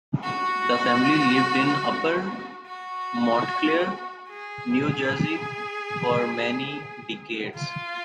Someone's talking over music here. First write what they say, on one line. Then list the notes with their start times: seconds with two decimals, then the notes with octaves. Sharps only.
The family lived in Upper Montclair, New Jersey for many decades.
0.23 F#4
2.66 F#4
4.29 G#4
7.55 F4